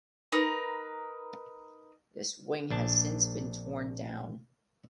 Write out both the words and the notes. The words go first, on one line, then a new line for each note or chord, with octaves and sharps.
This wing has since been torn down.
D#4 A#4 B4
A#1 D4 A5